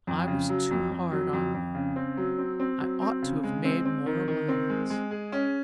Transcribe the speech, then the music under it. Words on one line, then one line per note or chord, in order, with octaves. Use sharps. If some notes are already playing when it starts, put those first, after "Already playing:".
I was too hard on you--I ought to have made more allowance.
F2
C#3
F#3
F2
F2
F#3
F2
F2
C#3
C4
F#3
C4
C4
F#3
C4
C#3
G#3
C4
C4
D#3
D#3
C4
G#3
G#3
G#4
C#4